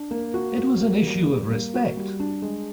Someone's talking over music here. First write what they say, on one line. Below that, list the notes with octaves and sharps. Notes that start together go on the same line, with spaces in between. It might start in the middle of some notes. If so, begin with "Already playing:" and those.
It was an issue of respect.
Already playing: D4
A#3
F#4
F#4
A#3
G3
G3
A#3
F#4
G3
D4
G#3